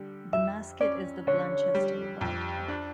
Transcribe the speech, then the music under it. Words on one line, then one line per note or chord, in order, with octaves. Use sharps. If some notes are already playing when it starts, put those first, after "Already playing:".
The mascot is the Blanchester Wildcat.
Already playing: D3 G3
F2 E5
C#4 D5
D3 C#5
G3
F2
D4